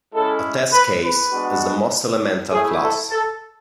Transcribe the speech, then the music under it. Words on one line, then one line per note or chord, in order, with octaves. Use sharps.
A test case is the most elemental class.
G#3 C#4 E4 A4
B4
B4
G#3 B3 D4 F#4
A3 E4 G#4
A4
A4